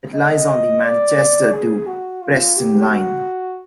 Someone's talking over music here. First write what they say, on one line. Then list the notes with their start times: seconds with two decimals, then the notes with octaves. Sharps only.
It lies on the Manchester to Preston Line.
0.15 D#5
0.84 D5
1.52 G#4
1.87 F#4
2.22 F4
2.57 G4
2.91 F#4